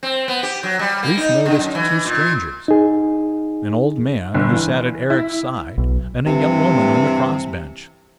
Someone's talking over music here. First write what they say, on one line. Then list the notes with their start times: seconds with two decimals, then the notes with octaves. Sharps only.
Leif noticed two strangers, an old man who sat at Eric's side and a young woman on the cross-bench.
0.03 C4
0.28 B3
0.43 G4
0.63 F#3
0.79 G3
1.03 A#3
1.17 D#4
1.46 D3
1.59 F#2
1.75 E3
2.06 A#2
2.68 D#4 G#4
4.34 G1
4.52 E3
5.10 E4
5.78 B1
6.27 G2 C3 E3